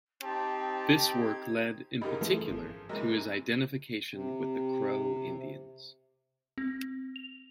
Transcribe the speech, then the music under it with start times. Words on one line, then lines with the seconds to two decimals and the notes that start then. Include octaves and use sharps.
This work led in particular to his identification with the Crow Indians.
0.22 C4 D#4 G4 A5
1.20 G#6
2.01 F#2 C#3 D#4 G4 A#4
2.21 E3 F3 A3
2.49 G#1
2.89 C3 E3 F#3 G#3 A#3
4.14 C3
6.58 C4
7.16 F7